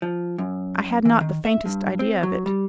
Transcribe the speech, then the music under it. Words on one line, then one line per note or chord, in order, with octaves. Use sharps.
"I had not the faintest idea of it."
F3
F#2
E3
D#3
E5
G2
C4
F#3
G3